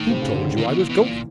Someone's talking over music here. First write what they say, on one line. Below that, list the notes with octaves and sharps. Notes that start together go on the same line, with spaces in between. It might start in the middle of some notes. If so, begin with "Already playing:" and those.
"Who told you I was going?"
Already playing: A2 D#3
C3
C#3
D3
D#3
A#2 E3
B2
A#2
B2
A#2